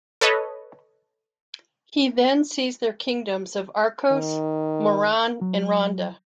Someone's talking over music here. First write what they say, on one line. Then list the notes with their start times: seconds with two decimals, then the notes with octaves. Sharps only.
He then seized their kingdoms of Arcos, Moron, and Ronda.
0.21 A4 B4 C#5 D#5
4.12 D#3
5.41 F#3